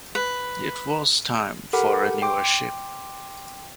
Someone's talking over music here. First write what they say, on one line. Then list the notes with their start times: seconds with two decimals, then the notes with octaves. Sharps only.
It was time for a newer ship.
0.15 B4
1.73 G4 A4 A#4 F#5 B5 D6
2.22 G5 C6 D6